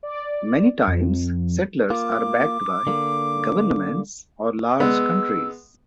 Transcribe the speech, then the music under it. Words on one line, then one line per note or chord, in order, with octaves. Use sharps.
Many times settlers are backed by governments or large countries.
D5
F2
A#3 F4 D6
D3 A#3
G#3 B3 E6